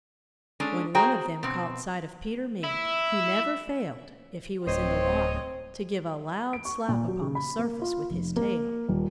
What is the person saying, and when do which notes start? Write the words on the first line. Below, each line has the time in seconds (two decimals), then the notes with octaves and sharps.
When one of them caught sight of Peter Mink he never failed--if he was in the water--to give a loud slap upon the surface with his tail.
0.60 G#3 C#4 D4 A4
0.95 F#4 G#4 C5 G5 A#5
1.43 B2 C4
2.64 E4 E5
4.67 D1 C4 C5 C#5 D#5
6.53 D7
6.65 C#6
6.89 A#2
7.08 F#3
7.21 C#3
7.35 B5
7.59 A#3
7.82 F4
8.11 F1
8.36 A#3
8.88 D#1